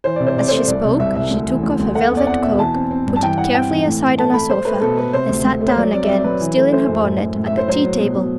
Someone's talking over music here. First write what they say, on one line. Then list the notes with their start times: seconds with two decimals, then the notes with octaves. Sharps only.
As she spoke she took off her velvet cloak, put it carefully aside on a sofa, and sat down again, still in her bonnet, at the tea-table.
0.04 E3 C5
0.16 C3 D5
0.27 C5
0.36 C3 D5
0.48 A3 C5
0.68 C2 D5
0.84 C3
1.00 C2 E5
1.15 C2 E5
1.31 D2
1.48 E3
1.63 D2
1.80 D2
1.95 A3 F#5
2.11 E2
2.17 D5
2.27 C4 F#5
2.42 B2 E5
2.58 E3 A5
2.75 C4
2.91 C4
3.06 G2
3.16 A5
3.22 E3 G5
3.38 E3 F#5
3.54 C4 G5
3.70 E3
3.86 A2
4.02 C4
4.18 A3 A5
4.34 A3 B5
4.49 A3 C5
4.65 A3 B4
4.81 B2 A4
4.98 A3 B4
5.13 C3 C5
5.29 D2
5.45 D2
5.61 A3
5.68 C5
5.77 F#3 D5
5.93 C4 D5
6.04 E5
6.09 C4 D5
6.24 F#3 B4
6.41 E3
6.57 A3
6.72 A3 C5
6.88 F#2
7.04 A2
7.21 A2
7.36 A2
7.46 E5
7.52 A2
7.57 C5
7.68 F#3 C5
7.84 F#3
8.00 B2
8.15 B2